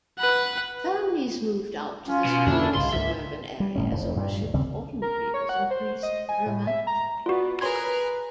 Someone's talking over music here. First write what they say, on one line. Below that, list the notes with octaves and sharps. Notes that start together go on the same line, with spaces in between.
Families moved out to this rural suburban area as ownership of automobiles increased dramatically.
B4 F#5
C#4 F4
B2
F2 D3 A#3 D4 E4 A4
C2 G#2 C#3 G#3 F4 C6
C#2 G#2 D3 A#3 E5
G3
G1 A2 C#4
F1 E2
G2 A#2 G3
D2 G2
D#2 C#3 G3 C4
A#4
C#5
F#5
C5
D#5
G#5
A2
E5
A#5
B3 F4 F#4 D5
G#4 A#4 B4 C#5 C6 G#6